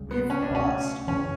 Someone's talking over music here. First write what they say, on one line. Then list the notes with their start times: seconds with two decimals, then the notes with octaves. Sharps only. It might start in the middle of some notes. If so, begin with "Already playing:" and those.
we've lost.
Already playing: C#2 C#3 G3
0.11 B3
0.30 C#4
0.42 D4
0.50 C#2 B2 A3 C#4
1.07 F#2 C#3 E3 C#4